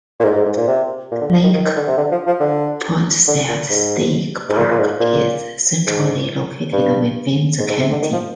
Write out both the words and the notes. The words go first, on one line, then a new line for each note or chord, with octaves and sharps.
Lake Poinsett State Park is centrally located within the county.
A#2
G#2
G#2
G#2
A#2
C3
A#2
D3
F3
D#3
D#3
D#3
D3
C3
D3
F3
F3
D3
D3
A#2
G#2
G#2
A#2
A#2
G#2
A#2
G#2
G2
G#2
G#2
C3
D3
D#3
F3